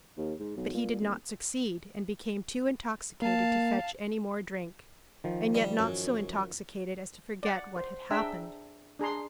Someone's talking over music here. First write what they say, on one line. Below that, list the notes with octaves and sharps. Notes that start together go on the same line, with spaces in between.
But he did not succeed, and became too intoxicated to fetch any more drink, and yet not so intoxicated as to forget what had happened.
D#2
G#2
B1
A#2
D#1
A#3 F5 A5
D#3 F3
G3
F#2
D5 F#5
C5
D4 G#4 E5 G5 A#5 E6
D4 G#4 A#5 C6